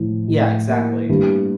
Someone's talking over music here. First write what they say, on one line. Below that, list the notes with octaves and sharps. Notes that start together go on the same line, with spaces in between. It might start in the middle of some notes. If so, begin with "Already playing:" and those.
Yeah, exactly.
Already playing: A2 F3
A2
A#3
G2